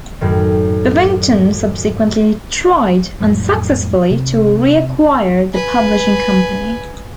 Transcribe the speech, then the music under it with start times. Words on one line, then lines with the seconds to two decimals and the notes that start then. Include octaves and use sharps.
Bevington subsequently tried, unsuccessfully, to reacquire the publishing company.
0.21 F#2 A2 D#3
3.20 F2 A2 F#3 G3
4.11 C3
5.54 B4 G#5